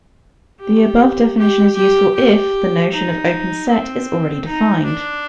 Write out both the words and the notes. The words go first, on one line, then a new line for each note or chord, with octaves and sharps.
The above definition is useful if the notion of open set is already defined.
G4
G4
G4
G4
D#4
C4
D#4
D4